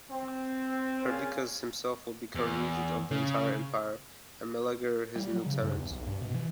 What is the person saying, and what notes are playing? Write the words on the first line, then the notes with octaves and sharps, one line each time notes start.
Perdiccas himself would become regent of the entire empire, and Meleager his lieutenant.
C4
A#2 A#3 C#4 F4 G#4
E2
C#3
G3
F#3
C#3
G2
E2
B1
G2
B2
E3